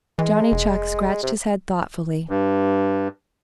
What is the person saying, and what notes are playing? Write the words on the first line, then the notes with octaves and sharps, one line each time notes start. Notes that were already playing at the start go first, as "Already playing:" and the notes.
Johnny Chuck scratched his head thoughtfully.
E3 G#3
F1
C3
G2